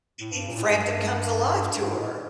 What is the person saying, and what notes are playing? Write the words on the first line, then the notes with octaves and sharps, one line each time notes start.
E Frampton Comes Alive tour.
A2
G2
A#2
A2
G#2
G2
G2
G#2
A2